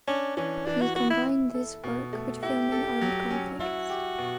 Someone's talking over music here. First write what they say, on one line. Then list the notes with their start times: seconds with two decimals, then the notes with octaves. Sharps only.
He combined this work with filming armed conflicts.
0.07 C#4 D4
0.37 E3 C#4
0.66 E3 D4
0.81 F#4
0.96 B3 F#4
1.10 E4
1.26 E4
1.54 A4
1.84 B2
2.13 A3
2.43 E4 G4
2.72 A4
3.01 F#3
3.31 C#4
3.60 E4 F#4
3.89 G4
4.18 B2